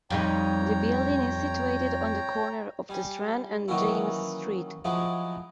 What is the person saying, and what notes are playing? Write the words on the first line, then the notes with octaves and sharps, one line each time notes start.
The building is situated on the corner of The Strand and James Street.
F2 G3 D#4 C#5 G5 A#5
G3 G#5
D#3 E3 F#3 A#3 C#4 E4
F3 F#3 G#3 E4 G#4